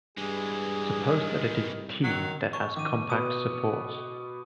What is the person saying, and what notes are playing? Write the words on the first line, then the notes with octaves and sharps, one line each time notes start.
Suppose that it is "T" that has compact support.
G2 E3 G#3 G#4
D#3
C2
D#3 F#3
C#6
D#3 D6 D#7
B2 B3 D#6